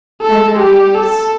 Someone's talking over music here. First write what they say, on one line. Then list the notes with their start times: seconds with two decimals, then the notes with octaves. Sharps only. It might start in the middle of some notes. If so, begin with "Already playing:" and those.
"Then that is--?"
0.21 A4
0.58 G4
0.95 A4